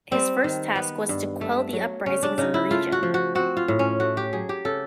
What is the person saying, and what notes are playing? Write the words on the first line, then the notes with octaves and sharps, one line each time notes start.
His first task was to quell the uprisings in the region.
G3 C4
D#3
B3
G2
A3
F#3
C#3 C#4
D4
C#3 D#4
E4
A3 F4
F#4
F3
F#4
C4 F#4
F4
A2
C#4
A3 F#4
G4
F#3 G#4
G4
C#3 A4